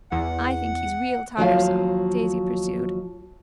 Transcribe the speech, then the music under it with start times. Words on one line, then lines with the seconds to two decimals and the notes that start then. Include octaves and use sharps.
"I think he's real tiresome," Daisy pursued.
0.12 E2 F#5
1.37 D#2 F3 F#3 F5